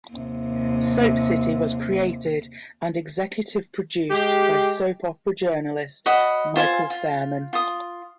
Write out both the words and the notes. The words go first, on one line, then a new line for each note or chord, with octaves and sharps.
SoapCity was created and executive produced by soap opera journalist Michael Fairman.
D#2 C3
G#3 G4
F#4 C#5 D#5 B5
F4 C5 F5 G#5
F4
F4 D#6